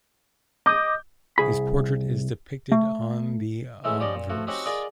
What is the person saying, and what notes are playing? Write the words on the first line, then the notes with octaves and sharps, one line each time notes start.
His portrait is depicted on the obverse.
D#5 D6 D#6 G6
C2 G#4 B5
A3
E3 G#3 A3 C#4 E4 E5
F3 G3 C#4 G4 D5 D#5
A#2
F3 A3 F#4
C4 C#4 D#4 F#4 G4 F#5
F4 G#4 A#4 D5 D#5